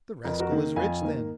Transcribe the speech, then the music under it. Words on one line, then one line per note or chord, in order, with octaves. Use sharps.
"The rascal is rich, then?"
F2 A#4
B4
F#4 A#4
D#3 A#3
F2 F5 G#5
D#3 A#3